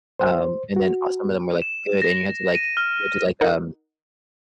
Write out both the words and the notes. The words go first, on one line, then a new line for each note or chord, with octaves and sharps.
um, and then, uh, some of them were, like, good and you had to like you had to like, um,
C5
F#4
E7
A#6
D#7
F6
D#4 A#4 F#5